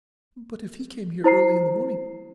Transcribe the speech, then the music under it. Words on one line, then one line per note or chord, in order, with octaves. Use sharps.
But if he came here early in the morning.
E4 C5 A#5 C7